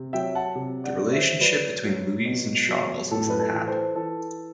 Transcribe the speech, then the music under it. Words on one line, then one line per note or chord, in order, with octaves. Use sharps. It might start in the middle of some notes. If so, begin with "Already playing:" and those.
The relationship between Louise and Charles was unhappy.
Already playing: C3
F#3 E5 G5
F#5 A5
C3
D5 F#5
F#3
C5 E5
F#3 B4 D5
F#3
B2
F#3
A2 A4
B4
A4
E3
A4 C5
E3 A4